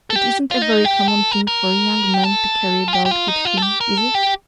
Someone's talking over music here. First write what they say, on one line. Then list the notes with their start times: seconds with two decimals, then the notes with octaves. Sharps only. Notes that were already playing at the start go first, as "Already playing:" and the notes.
It isn't a very common thing for a young man to carry about with him, is it?
0.10 A4
0.16 G4
0.51 F4
0.62 D#4
0.85 G4
1.08 A4
1.31 A#4
1.47 A#4
2.14 G4
2.24 A4
2.88 F4
2.93 G4
3.06 G4
3.11 F4
3.28 D#4
3.45 F4
3.57 A4
3.62 G4
3.81 A#4
3.97 A4
4.14 G4